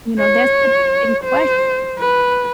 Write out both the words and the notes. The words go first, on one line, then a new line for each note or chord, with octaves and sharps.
You know, that's the big question.
C#5
C5
B4